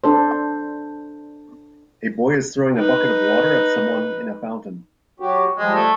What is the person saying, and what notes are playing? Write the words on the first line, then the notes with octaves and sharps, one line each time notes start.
A boy is throwing a bucket of water at someone in a fountain.
D4 A4 C5
D#4 B4
F#3 F#4 G4
F3 G3 G#3
A3